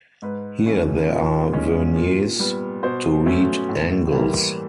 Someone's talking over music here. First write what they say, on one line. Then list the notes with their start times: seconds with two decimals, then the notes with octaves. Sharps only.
Here there are verniers to read angles.
0.22 G#2 B4
0.66 E3 A3 C#4
1.09 A#2
1.52 F3 G#3 C#4
1.96 A#2
2.39 G3 B3
2.83 B2 C5
3.26 F#3 A3 C#4
3.69 A2
4.12 E3 G3 A#3